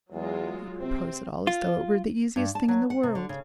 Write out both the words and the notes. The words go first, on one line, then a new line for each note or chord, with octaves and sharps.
"You propose it all as though it were the easiest thing in the world."
E2 F#3 G#3 F4
C3 C4
F4
G2
A5
F#3
F#5
C3
D3
C#3